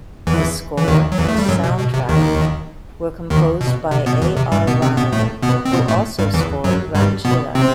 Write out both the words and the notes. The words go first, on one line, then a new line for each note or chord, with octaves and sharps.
The score and soundtrack were composed by A. R. Rahman, who also scored "Rangeela".
E2 E3
E3
D#2 D#3
F#3
E2 E3
A3
G3
F#2 F#3
B2
B2
C3
D#2 D#3
D#2 D#3
B2
C3
B2 B3
E2 E3
C3
G2 G3
B2 B3
C3 C4
B2 B3
A2 A3
B2 B3
C4
B2 B3
A2 A3
G2 G3
E2 E3
F#2 F#3
G2 G3
B2 B3
C3 C4